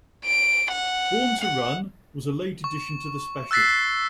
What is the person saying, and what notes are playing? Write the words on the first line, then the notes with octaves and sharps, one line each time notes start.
"Born to Run" was a late addition to the special.
D7
F#5
F#5
C#6
E6 F#6 A6 B6 C7